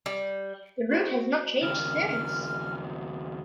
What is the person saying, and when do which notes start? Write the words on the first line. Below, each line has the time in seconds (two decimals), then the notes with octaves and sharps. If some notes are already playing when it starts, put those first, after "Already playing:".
The route has not changed since.
0.06 G3
0.92 F#4 C5 E5
1.63 D#2 C#3 F6